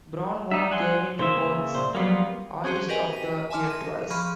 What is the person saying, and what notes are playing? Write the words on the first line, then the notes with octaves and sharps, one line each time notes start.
Braun won Gavin Report's Artist of the Year twice.
G3 B3 D4 D#4 E5
F#5 G#5 C6
C#3 A#3 C5 E5
A#2 C5
F2 F#3 G3 A#3 B3 F4
C4 C#4 F#4 G#4 C5
G4 A#4 B4 D#5 G5 G#5
B6 D#7
E5 G#5 A5 C6 D6 F6
A#6 D#7
F3 G#4 B5 C#6 F6